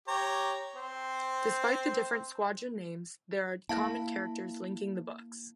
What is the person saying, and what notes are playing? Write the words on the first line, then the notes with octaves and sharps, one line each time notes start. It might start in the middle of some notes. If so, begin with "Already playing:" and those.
Despite the different squadron names, there are common characters linking the books.
G4 C#5 A#5
C4 C5
A#3 E4 F5 A5